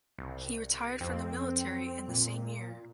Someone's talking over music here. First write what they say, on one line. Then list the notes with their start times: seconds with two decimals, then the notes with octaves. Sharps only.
He retired from the military in the same year.
0.19 C2
1.01 F2 C4
2.08 A#2